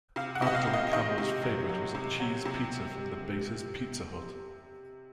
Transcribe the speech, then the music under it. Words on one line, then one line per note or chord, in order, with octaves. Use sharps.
Abdullah Kamel's favorite was a cheese pizza from the base's Pizza Hut.
C3 F5
F#5
C3 D#5
F5
C3
D#5
D#3 D#5
C3
F#3
F#3
C3
F#3
C3